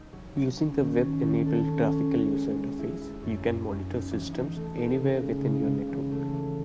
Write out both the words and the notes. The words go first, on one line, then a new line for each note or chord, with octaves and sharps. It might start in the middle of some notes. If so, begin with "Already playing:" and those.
Using the web-enabled graphical user interface, you can monitor systems anywhere within your network.
Already playing: D#4
F#3
F#3
C#4
D#3
C#4
D#3
A4
C#4
C#4
F#4
G#3
G#3
E4
E4
F#2
F#2
F#2
D#4
E3
D#4
A3
D#4
C#3
G#3
C#3
C#3
E3
A3
E3